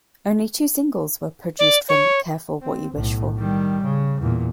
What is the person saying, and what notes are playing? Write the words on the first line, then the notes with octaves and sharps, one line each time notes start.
Only two singles were produced from "Careful What You Wish For".
D5
C#5
C4
B1 A2
D#3 G3
C#3
E2 A#2